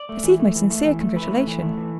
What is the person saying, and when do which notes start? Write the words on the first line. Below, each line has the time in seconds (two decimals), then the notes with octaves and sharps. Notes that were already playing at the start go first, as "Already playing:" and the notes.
"Receive my sincere congratulation."
Already playing: D5
0.09 A3
0.23 E3
0.40 A3
0.55 E3
0.70 A3
0.85 E3
1.01 A3
1.16 E3 B4
1.32 A3
1.47 E3
1.62 A3
1.77 E3